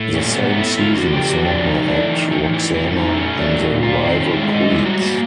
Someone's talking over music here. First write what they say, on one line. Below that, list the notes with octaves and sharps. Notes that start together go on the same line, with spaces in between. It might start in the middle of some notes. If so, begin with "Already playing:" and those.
The same season saw her act Roxana in the "Rival Queens".
Already playing: A2 A3
A#2 C#4
B3
A3
E4
D3 F4
F#4
F3 G4
F#4
F#3 D4
D#4
A3
D4
E4
E3 D#4
D#4
A2
E4
F#3 E4
D#4
A3
C#4
F#3 D4
A#2
F4
D#3 C4
C#4
G#3 E4
D#4
G3 E4
F#4
A#3 F#4